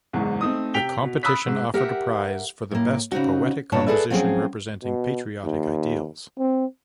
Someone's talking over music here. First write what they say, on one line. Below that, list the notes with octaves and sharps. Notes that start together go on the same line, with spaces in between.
The competition offered a prize for the best poetic composition representing patriotic ideals.
F#1 E2 G#2
A3 C4 D#4 D#6
C3 G5 B6 F7 G7
B2
B5 D#6 E6 F#6 B6
G#2
G4 A#4 E5 F#5
A2 A#3
C#3 C4 D#4 F#4
G2 A#2 D4 C#5 A5
G#4 A4 B4 D5 E5
F3 F#3 C4 C#4 G#4
B2
D#2
C4